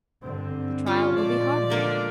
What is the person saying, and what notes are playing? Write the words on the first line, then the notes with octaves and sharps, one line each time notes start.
"The trial will be harder."
G2 D3 C4
C#4 F4 A5
A#2 F3 G#3 D5
D3 A#3 D4